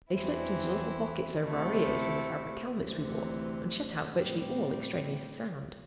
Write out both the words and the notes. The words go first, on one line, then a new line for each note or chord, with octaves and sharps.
They slipped into little pockets over our ears in the fabric helmets we wore, and shut out virtually all extraneous sounds.
E2 E3 C4 E4
D2 C3 A3 E4
D2 C3 E3
A2 G3 C4